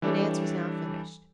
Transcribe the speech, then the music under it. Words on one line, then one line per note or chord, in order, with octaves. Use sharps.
The dance was now finished.
E3 G3 D4 G4 A4 C#5